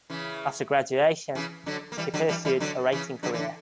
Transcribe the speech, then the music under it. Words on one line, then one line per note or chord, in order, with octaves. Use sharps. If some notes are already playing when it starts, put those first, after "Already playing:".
After graduation, he pursued a writing career.
C#3 E3
C#3 E3
D3 F#3
A#3
E3 G3
D3 F#3
E3 G3
E3 G3
D3 F#3
C#3 E3
D3 F#3
E3
D3